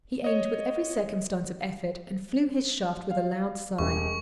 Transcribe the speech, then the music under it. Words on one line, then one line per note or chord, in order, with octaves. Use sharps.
He aimed with every circumstance of effort, and flew his shaft with a loud sigh.
C#5 D#5
F5
E1 C#2 G3 C#6